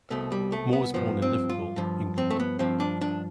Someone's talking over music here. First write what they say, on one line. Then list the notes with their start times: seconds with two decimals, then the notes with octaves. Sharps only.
Moore was born in Liverpool, England.
0.10 C2 B2 A3
0.32 G3
0.52 A3
0.73 B3
0.94 G2 F3 B3
1.22 C4
1.49 F4
1.76 G2 F3
2.18 C4
2.30 A3
2.40 B3
2.59 G2 F3 C4
2.80 D4
3.01 D4